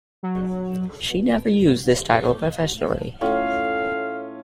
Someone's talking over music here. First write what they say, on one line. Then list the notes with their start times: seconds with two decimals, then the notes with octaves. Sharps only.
She never used this title professionally.
0.23 F#3
3.21 A2 C#4 F4 C#5 F5